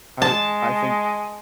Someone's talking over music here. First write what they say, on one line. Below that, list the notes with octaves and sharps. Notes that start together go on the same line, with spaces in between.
I I think
G#3 A5